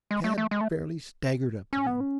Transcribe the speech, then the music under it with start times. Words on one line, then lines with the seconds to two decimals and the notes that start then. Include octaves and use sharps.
Tad fairly staggered up to them.
0.11 G#3
0.24 A3
0.38 A3
0.51 G#3
0.61 A3
1.73 C#4
1.87 B3
2.00 C#4